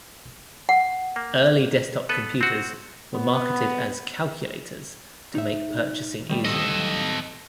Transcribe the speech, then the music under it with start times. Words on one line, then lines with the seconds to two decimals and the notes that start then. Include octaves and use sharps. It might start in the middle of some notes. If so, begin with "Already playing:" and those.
Early desktop computers were marketed as "Calculators" to make purchasing easier.
0.69 F#5
1.16 A#3
2.09 B3 A4 B4
2.41 C4 F#4
3.14 B3
5.35 D#4 E5
6.30 D#3 G3 A3
6.45 A4 D#5